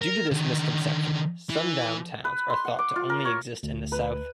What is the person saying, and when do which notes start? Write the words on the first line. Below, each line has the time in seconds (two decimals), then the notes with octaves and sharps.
Due to this misconception, sundown towns are thought to only exist in the South.
0.02 A#4
0.31 D3 D#3
1.50 E3
2.25 B4
2.50 C6
2.65 F#5
2.79 D6
2.96 F4
3.10 A#4
3.25 C#5
3.63 D2
3.92 B4